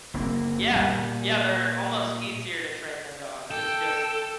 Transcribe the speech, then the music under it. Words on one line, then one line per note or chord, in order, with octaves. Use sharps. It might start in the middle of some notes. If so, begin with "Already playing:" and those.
Yeah. Yeah, they're almost easier to train than dogs. It's just
F#1 A#3 C4
A#2 G3
A4 G5